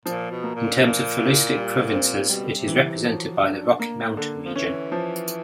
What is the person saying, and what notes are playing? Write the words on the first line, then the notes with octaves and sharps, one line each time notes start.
In terms of floristic provinces, it is represented by the Rocky Mountain region.
A#2 F3
B2
A#3
A#2
A#2 F3
E4
G3
C4
B2 G3
C3
E3
C3
F3 F#3
D4
A#3
D3
F3
E3 C#4
F3